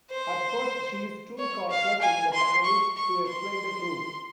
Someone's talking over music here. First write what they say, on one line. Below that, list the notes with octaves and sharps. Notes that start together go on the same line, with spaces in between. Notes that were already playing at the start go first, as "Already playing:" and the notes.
At first she is too caught up in the panic to explain the truth.
C5
C#5
F5
G#5
C6
C#6
C#6
C6